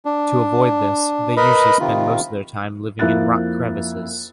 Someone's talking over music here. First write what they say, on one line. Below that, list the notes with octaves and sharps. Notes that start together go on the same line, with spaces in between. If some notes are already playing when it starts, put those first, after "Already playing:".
To avoid this, they usually spend most of their time living in rock crevices.
D4
A#4 B4 D#5 B5
C3 D#3 F4
F2 A#3 E4 F#6 A6